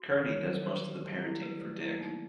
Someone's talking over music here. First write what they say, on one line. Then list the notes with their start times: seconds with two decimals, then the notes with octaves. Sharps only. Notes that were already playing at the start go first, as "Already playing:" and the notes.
Kearney does most of the parenting for Dick.
Already playing: F#4
0.09 E3 C#5
0.18 D#3
0.27 E3 C#5
0.37 F#3
0.46 G3 C5
0.65 C5
0.84 G4
0.93 G#3
1.04 G3 G4
1.15 G3
1.23 G#3 E4
1.42 B4
1.61 A3 B4
1.80 E4
1.87 A#3
2.00 B3 D#4